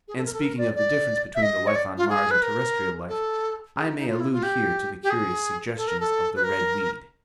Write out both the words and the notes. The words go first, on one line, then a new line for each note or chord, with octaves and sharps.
And speaking of the differences between the life on Mars and terrestrial life, I may allude here to the curious suggestions of the red weed.
G#4
A4
A#4
A4
A#4
D5
D5
E5
D#5
C#5
D5
F4
G#4
B4
A#4
A4
G#4
D#4
D#4
F4
E4
F4
G4
G4
G#4
A4
A#4
A4
B4
A#4